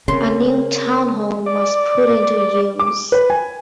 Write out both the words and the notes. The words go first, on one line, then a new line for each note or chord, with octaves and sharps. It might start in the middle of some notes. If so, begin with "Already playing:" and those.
A new town hall was put into use.
C#3 C4 A#4 C6
D5
D6
B4
G#5